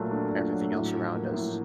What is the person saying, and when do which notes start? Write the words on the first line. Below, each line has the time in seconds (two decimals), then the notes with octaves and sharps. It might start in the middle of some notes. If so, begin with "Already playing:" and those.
everything else around us.
Already playing: A#2 F#3 A3
0.11 D4
0.31 A#2
0.52 F#3
0.72 A2
0.92 F3
1.14 A#3
1.34 A2